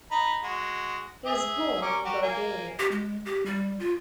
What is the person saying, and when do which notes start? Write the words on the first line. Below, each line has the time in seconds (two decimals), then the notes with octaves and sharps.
He was born in Bulgaria.
0.11 D#4 A#5 B5
0.43 G#3 F#4
1.26 G#4 E5
1.82 C#4 A#4 D6
2.05 F#4 G4 A#4
2.22 A#3 G#5
2.79 G4
2.91 G#3
3.25 G4
3.46 G3
3.80 F4